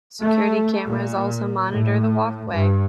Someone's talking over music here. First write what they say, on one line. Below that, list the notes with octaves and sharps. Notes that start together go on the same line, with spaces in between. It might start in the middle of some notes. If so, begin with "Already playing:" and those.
Security cameras also monitor the walkway.
A3
A#2
A2
G2